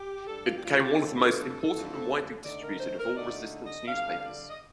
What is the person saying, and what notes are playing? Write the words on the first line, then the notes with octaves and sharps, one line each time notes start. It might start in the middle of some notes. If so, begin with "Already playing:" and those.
It became one of the most important and widely distributed of all Resistance newspapers.
Already playing: G4
A2 G3 D4 A4
F4
G4
F4
G4
A#4
F2 D3 F3 A3 D4 A4
F2 D3 F3 A3 D4
D3 A3 D#4 D5
A#4
C5
A#4
D3 A3 D#4 D5
D#5
D3 G3 D4 F5
D5
D#5